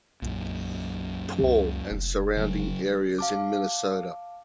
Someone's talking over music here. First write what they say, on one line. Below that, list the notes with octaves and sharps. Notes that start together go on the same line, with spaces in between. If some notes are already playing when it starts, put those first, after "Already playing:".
Paul and surrounding areas in Minnesota.
B1 F#2 A#2
C#2
F1
C#3 F#3
F5 A5 D6